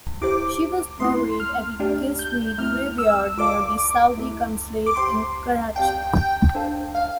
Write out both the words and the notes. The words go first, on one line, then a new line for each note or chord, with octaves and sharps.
She was buried at the Gizri Graveyard near the Saudi Consulate in Karachi.
E4 G4 C5 D6
A3 C4 E4 C6
F6
A3 D4 G4 D5 G5
G6
A3 C4 E4 F6
E6
F4 A4 D5 F5 A5 D6
D6
A3 E4 A4
D6
G4 C5 G5 C6
C4 G4 D5 F5 G5 A5
G5
D4 A4 C5 F5 A5
F5